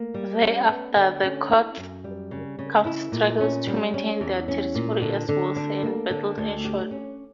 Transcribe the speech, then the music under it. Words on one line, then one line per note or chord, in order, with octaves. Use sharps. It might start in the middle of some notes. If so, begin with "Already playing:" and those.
Thereafter, the Counts struggled to maintain their territory as wars and battles ensued.
Already playing: A#3
G3
C#4
B3
D3
C#4
E4
F#2
G3
C#3
C#3
E4
A#2
C#4
G3
C#4
E2
C#4
A#2
D3
D3
D4
A#3
D3
D2
G4
C#4